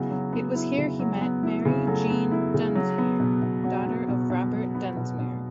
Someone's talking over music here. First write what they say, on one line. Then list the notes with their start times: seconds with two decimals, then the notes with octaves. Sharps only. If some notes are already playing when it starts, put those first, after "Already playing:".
It was here he met Mary Jean Dunsmuir, daughter of Robert Dunsmuir.
Already playing: C#3 F#3 B3 E4 F#4
0.11 F#3
0.33 B3
0.55 E4
0.78 C#3
0.99 F#3
1.21 B3
1.43 E4
1.65 C#3
1.87 F#3 A3 A4
2.10 B3
2.31 E4
2.54 C#3
2.75 F#3
2.98 B3
3.20 B2
3.42 B2
3.64 F#3 F#4
3.86 B3
4.08 B2
4.30 B2
4.53 F#3
4.75 B3
4.97 B2
5.19 B2